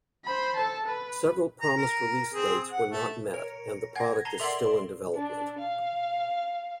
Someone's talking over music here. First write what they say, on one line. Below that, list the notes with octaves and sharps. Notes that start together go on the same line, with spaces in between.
Several promised release dates were not met and the product is still in development.
C5 B5
A4 A5
B4
A#5
A#4
C4 G#4 C5
F#5
A3
A#4 C#5
F#5 G#5 G#6 A#6
A5 A#5 C7 F7 G7
A4 A#4 D5 E5 F#5 C6
D4
F5